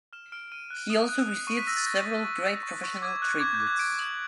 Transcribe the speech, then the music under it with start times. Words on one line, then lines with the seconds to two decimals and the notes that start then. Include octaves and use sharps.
He also received several great professional tributes.
0.13 F6 E7
0.32 F6 D7
0.52 F6 D#7
0.70 F#6
0.90 D#6
1.09 F#6
1.29 F#6
1.47 C#6 D#7
1.57 B6
1.67 E6 A#6
1.77 A6
1.87 G6 A#6
2.05 C#6 A6
2.24 C#6
2.45 G6
2.63 C#6
2.83 C#6
3.02 D6 G#6
3.22 F#6
3.40 D6 G#6
3.54 G6
3.60 D6
3.67 G#6
3.79 G6 D7
3.99 D#6 F#7